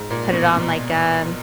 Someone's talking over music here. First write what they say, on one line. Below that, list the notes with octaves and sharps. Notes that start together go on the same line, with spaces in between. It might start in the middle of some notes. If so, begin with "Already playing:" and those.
put it on, like, um,
Already playing: G#2
A#2
B2
B2